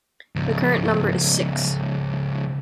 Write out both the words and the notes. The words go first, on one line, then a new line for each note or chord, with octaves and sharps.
The current number is six.
C#2 F3